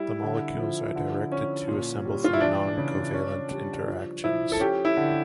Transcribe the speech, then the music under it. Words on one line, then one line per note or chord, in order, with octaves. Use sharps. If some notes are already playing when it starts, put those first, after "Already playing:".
The molecules are directed to assemble through noncovalent interactions.
Already playing: G3 E4
D3
F3
D3
C#4
A#2
G3
F4
E4
E3 D4
C#3
C#4
G3
F3
F3 E4
A4
C#4 G4
E4
D3